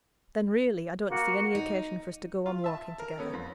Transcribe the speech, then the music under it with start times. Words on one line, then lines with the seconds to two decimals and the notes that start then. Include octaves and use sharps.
'Then, really, I don't see any occasion for us to go on walking together.
1.09 A#3 F#4
1.55 D#4
2.46 F4
2.64 E5 A5
2.99 A#4
3.18 B3 C#4 A4
3.33 F2